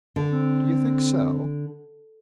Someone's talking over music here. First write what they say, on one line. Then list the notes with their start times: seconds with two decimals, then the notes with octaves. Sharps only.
"Do you think so?"
0.16 D3
0.31 C4